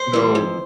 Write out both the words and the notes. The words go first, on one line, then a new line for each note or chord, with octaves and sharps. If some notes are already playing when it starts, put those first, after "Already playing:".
you know,
Already playing: C5
E3 G3
F2